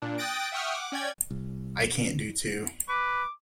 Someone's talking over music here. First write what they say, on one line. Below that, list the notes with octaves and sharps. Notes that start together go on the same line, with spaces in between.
I can't do two.
A#2 D4
G5 D#6 F#6 A6 A#6 D7
E5 F#5 G5 C#6 D#6 F6
F#5 D6
C#4 D5 G5 G#6
C2
B4 D6